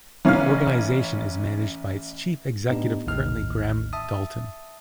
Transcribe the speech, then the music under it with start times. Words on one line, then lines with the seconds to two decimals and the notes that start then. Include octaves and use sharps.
The organisation is managed by its chief executive, currently Graham Dalton.
0.25 A1 C#4 F5 F6
2.70 A2 B3 D4 D#4 G4
3.06 A1 D#2 A2 D#4 F6
3.93 E5 A5 D#6